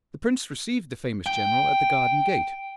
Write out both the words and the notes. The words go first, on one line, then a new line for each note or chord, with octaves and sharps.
The prince received the famous general at the garden gate.
G5